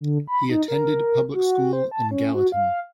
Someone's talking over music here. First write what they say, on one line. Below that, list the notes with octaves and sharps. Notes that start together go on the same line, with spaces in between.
He attended public school in Gallatin.
D3
B5
D#4
A#4
F#4
C5
A5
C#4
F#4
F5